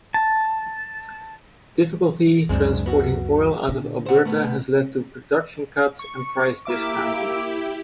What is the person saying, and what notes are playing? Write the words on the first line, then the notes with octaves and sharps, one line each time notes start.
Difficulty transporting oil out of Alberta has led to production cuts and price discounting.
A5
C#2 F#2 G#3 C4 D4
B3 F#4
A#2 D3
C5 F#5
A3 B3
C#6
A#3 E4 G4 E5 D6